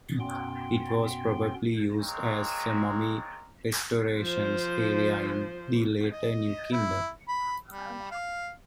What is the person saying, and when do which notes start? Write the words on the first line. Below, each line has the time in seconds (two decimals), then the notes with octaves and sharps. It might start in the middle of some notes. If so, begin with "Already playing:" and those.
It was probably used as a mummy-restoration area in the later New Kingdom.
0.20 F#2 B2 B3 C#4 G5 C6
2.00 G#3 A#3 C4 A#4 C#5
4.19 F3 C5
6.12 D#5
6.73 E4
7.28 B5
7.71 G3
8.11 F5